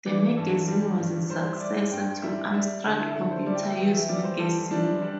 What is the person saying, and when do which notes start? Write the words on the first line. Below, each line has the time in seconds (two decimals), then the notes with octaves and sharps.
The magazine was a successor to "Amstrad Computer User" magazine.
0.06 E3 D5
0.37 G2 A4
0.68 G3
0.99 G2
1.29 G3 C5
1.56 E5
1.60 G3 D5
1.91 G2 G5
2.22 G3 E5
2.54 G3 E5
2.85 D3 A4
3.00 E4
3.15 D3 A4
3.31 C5
3.46 G3 D5
3.55 G5
3.63 E5
3.78 E2 G5
3.93 E5
4.09 G3 D5
4.24 C5
4.39 G3 A4
4.70 G3 D4
5.02 G3 D4